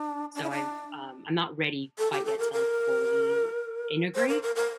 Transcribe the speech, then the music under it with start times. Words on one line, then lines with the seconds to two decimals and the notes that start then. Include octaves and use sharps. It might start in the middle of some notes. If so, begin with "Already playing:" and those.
so I've, um I'm not ready quite yet to, like, fully integrate,
Already playing: D4
0.35 D4
0.43 E4
0.51 D4
1.98 A4
2.12 G4
2.25 A4
2.39 A#4
2.52 A#4
4.15 C5
4.29 A#4
4.42 A#4
4.56 A#4